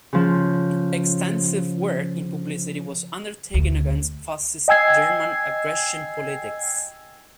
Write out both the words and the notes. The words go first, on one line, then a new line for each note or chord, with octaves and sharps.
Extensive work in publicity was undertaken against fascist German aggression politics.
C#3 F3
D2
D#5 G5 G#5 E6 G#6 C7